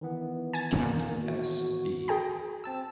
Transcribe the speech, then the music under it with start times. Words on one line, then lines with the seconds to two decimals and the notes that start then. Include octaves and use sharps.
Captain S. B.
0.01 D#3 E3 B3
0.53 G#5 A6
0.83 A#3
1.21 F#4
2.08 G#4 G5 A#5
2.64 C4 A5 E6